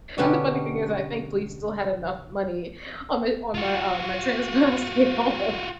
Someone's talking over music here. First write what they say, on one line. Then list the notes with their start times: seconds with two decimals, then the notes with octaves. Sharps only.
And the funny thing is I, thankfully, still had enough money on my on my, um my trans pass to get home.
0.18 B2 D3 B3 C#4 G4
3.55 F4 F#4